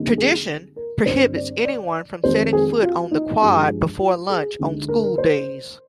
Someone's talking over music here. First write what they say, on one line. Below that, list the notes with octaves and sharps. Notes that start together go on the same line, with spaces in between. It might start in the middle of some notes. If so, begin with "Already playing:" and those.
Tradition prohibits anyone from setting foot on the Quad before lunch on school days.
Already playing: F2 D3 G3 A#3 D#4
G#4
A#4
G2 D3 G3 C4 C5
D5
D5
F2 D#3 G#3 C5
G#4
F4
D#4
G2 F3 G#3
F4
G#4
D2 D3 G#3 D#4
A#4
A#4
C5